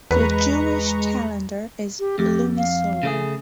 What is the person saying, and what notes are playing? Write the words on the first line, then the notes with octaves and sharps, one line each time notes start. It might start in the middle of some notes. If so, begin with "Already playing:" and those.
The Jewish calendar is lunisolar.
E2 G#3 B4 A#5 C#6
G4
F2 G4
F5
C#3 A3 G#4